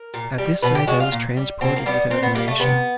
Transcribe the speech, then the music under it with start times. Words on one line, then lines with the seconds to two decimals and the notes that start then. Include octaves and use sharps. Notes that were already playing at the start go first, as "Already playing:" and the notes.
At this sight I was transported with admiration.
Already playing: A#4
0.14 A#2
0.38 G3
0.62 B2 B4
0.75 G4
0.87 G#3 F#4
1.00 F4
1.12 A#2
1.37 G3
1.61 B2 C4
1.76 A#3
1.86 G3 B3
2.10 A#2 C4
2.23 B3
2.35 G3 A#3
2.48 A3
2.59 C3 B3